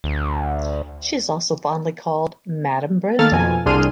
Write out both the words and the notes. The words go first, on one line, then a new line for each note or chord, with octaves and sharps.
She is also fondly called ""Madam Brenda"".
D2
D#3 A#3 A4 F6 A6
F2 B2 G#5
C2 D4 G#4 C6 F6 D#7